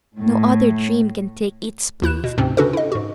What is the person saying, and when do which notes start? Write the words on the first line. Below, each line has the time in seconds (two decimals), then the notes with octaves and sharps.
No other dream can take its place.
0.18 A2
2.02 D#2 E4 F#6 E7
2.24 B2
2.38 D2 G#2 C3 C4 C#4
2.57 C#3 C#4 D4 F#4 A4 B4
2.73 E4 D#5
2.92 G#2 F#4